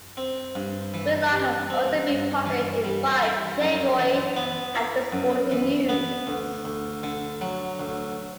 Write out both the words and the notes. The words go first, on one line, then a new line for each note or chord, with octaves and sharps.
Whitlock has also been published in "Vibe", "Playboy", and "The Sporting News".
C4
G2
E3
G3
C4
G2
E3
G3
E4
F#2
E3
B3
E4
F#2
E3
B3
D2
D2
D3
F#3
D2